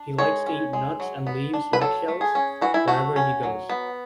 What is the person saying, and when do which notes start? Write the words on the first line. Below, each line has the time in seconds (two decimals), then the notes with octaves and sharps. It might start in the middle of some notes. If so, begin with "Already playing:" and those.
He likes to eat nuts and leaves nutshells wherever he goes.
Already playing: D4
0.18 G#3 C#5
0.46 C#4
0.73 G#3
1.00 F#3
1.27 B3
1.53 D4
1.73 B4
1.81 F#3 A4
2.08 A3
2.21 G#4
2.35 C#4
2.61 E3 F#4
2.74 E4
2.88 A3 F#4
3.16 C#4
3.43 F#3
3.69 B3